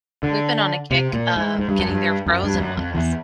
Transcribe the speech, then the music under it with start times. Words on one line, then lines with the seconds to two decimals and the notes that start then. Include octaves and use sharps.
We've been on a kick of getting their frozen ones.
0.23 D3
0.91 C3
1.13 A#2
1.36 G#2
1.59 G#2
1.69 G2
1.79 F#2
1.89 G2
2.27 F#2
2.44 G2
2.54 F2
2.60 F#2
2.78 F2
2.95 E2